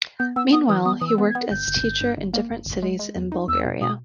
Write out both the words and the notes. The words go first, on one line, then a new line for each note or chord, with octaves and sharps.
Meanwhile, he worked as teacher in different cities in Bulgaria.
B3 G6
B3 E6
B3 D#6
E3 D#6
B3 D#6
E3 D#6
E6
B3
G#6
B3
G1 G6
G1
G1
G2
G1
A#3
G1
G1
G#3
G#3
E2
D#4
E2 E6
B2
B2 D#6